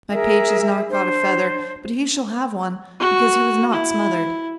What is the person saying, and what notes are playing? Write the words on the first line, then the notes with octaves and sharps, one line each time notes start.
My page has not got a feather, but he shall have one, because he was not smothered.
G#4 A#4 E5
D4 C5
F#4
E4